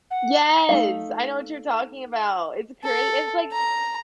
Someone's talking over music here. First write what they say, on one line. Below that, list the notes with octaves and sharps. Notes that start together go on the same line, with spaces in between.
Yes! I know what you're talking about. It's great it's, like
F#5
A3 D#4 F5
A4
A#5